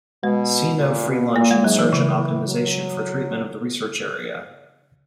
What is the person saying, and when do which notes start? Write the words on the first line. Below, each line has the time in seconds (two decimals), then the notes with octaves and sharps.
See No free lunch in search and optimization for treatment of the research area.
0.23 B2 G#3
0.80 A#2
1.08 B2
1.36 A#2 A#3
1.51 G#3
1.64 G#2 F#3
1.79 E3
1.92 C#3 E3
2.49 F#3